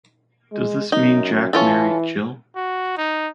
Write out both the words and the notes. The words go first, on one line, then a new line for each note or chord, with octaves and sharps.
Does this mean Jack married Jill?
G#3
F#2 D#4
E3 C#4 F4 A4
F#4
D#4